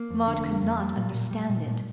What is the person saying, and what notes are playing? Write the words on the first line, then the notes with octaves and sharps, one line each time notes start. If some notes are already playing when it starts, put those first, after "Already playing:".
Maud could not understand it.
Already playing: A#3
F2
D3
F2
F2
G3
A#2
A#2
G3
A#2
A#2